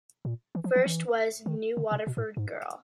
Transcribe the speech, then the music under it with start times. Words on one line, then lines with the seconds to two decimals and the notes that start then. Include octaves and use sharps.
First, was "New Waterford Girl".
0.25 A#2
0.55 E3
0.64 F3
0.76 F3
0.85 E3
1.46 D#3
1.77 D3
1.91 C3
2.07 B2
2.17 A2
2.37 G#2